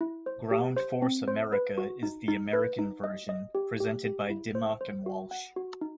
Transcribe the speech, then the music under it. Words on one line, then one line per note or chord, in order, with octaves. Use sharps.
Ground Force America is the American version, presented by Dimmock and Walsh.
E4
C5
G4
C5
C4
C5
B4
F#4
D#4
D#4
B4
D#4
D#5
D#5
G4
G4
G4
E4
C5
C5
F#4
F#5
F#4
D#4